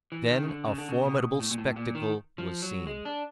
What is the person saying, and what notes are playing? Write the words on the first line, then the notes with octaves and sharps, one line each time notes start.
Then a formidable spectacle was seen.
E3
D#3
C#3
D3
C#3
D3
C#3
B2
A2
A#2
A2
A#2
D#3
F3
F#3
G#3
D4